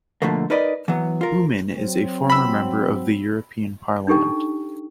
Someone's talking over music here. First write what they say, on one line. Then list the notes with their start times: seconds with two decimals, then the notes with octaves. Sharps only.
Oomen is a former Member of the European Parliament.
0.22 B2 D3 F3 A3 A#3
0.50 D#4 A#4 B4 D5 D#5
0.88 E3 F#3 B3
1.21 F4 A#4
1.75 F#3 C4
2.30 B5 E6
4.07 D4 D#4 G4 A4 G5